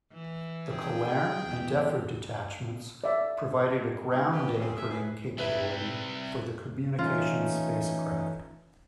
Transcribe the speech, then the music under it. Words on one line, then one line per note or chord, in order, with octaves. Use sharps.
The Colerne and Defford detachments provided a ground anchoring capability for the communications spacecraft.
E3
G#1 F2 G#4 G5
E2 E3
D5 E5
G#3 D#4
C3 B3 F#4 G4 B4
G3 C4 C#4 G#4
G#3 B3 E4 A4 A#4 E5
G#4 B4
C3 G3 E4 B4 E5
E3 A3 C#4 D#4 F4